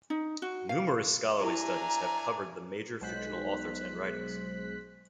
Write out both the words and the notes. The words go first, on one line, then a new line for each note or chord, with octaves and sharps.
Numerous scholarly studies have covered the major fictional authors and writings.
D#4
F#4
F5
D4 E4 G4 E5 G#5 A#5
B1 G#3 C5 F#6 B6